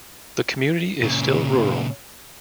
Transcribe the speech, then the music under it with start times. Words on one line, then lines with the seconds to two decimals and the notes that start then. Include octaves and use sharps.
The community is still rural.
1.02 A#2 C#3